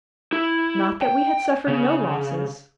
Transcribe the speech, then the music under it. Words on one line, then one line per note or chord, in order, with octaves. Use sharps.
Not that we had suffered no losses.
E4
G5
C#3